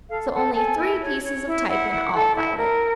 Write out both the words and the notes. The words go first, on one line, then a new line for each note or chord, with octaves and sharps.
"So only three pieces of type in all, Violet."
A4 F5
A4 F#5
A4 G#5
E4
C#5
C#5
E4
E4 F#5
E4
A4
E4
A#4